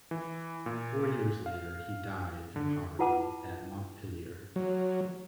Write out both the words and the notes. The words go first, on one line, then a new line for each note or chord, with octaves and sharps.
Four years later he died in poverty at Montpellier.
E3
A#2
F5
D3
E4 F4 B4 F#5 A5 D6
F#3